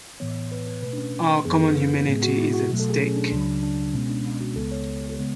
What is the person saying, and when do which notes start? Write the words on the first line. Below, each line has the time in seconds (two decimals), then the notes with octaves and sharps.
Our common humanity is at stake.
0.20 A2 E3 B3 C#5
0.52 B4
0.67 B4
0.82 B2 A3 B4
0.93 D4
0.98 C#4
1.14 D4
1.45 F#2 E3 B3 G#4
1.56 B4
1.61 A4
2.07 A2 G#3 B3 G#4
2.23 F#4
2.38 E4
2.54 F#4
2.69 B2 F#3 A3
2.80 A4
2.90 G#4
3.01 C#4
3.16 D4
3.32 C#2 C#3 F#3 D4
3.63 D4
3.94 B2 G#3 B3 C#4
4.09 D4
4.40 F#4
4.56 C#2 C#3 G#3 B3 A4
4.72 C#5
5.19 C#3 G#3 B3